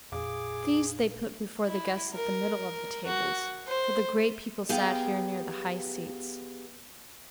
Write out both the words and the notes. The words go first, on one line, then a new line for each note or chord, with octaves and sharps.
These they put before the guests at the middle of the tables; for the great people sat here near the high seats.
A1 F2 A#2 G#4 F5 D6
E4
A#4
F#4
C5
B3 G4 G#4 F5 G5